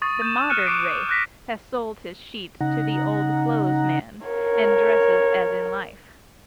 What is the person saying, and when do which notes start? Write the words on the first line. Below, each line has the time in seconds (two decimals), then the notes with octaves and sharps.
The modern wraith has sold his sheet to the old clo'es man, and dresses as in life.
0.02 C#6 D#6 A6
0.22 G6 E7
0.50 F6 F#6 C#7 D#7
0.67 C#6 D6 C7 D7
1.08 D6 F#6 G6 A#6 B6
2.61 C#3 D#4 F#5 A#5
4.27 A#4 C#5